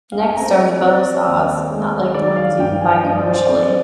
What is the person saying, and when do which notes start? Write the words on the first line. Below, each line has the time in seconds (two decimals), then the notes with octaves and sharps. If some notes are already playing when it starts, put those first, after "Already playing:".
Next are the bow saws, not like the ones you can buy commercially.
0.12 F5
0.19 G5
0.28 G#5
0.37 C4 A#5
0.81 C4 D5
1.26 D#2
1.70 G#3
2.14 D#3 D5
2.36 F5
2.59 G2 G5
2.81 G#5
3.04 G2 D#5
3.18 D5
3.31 C5
3.46 C4 D5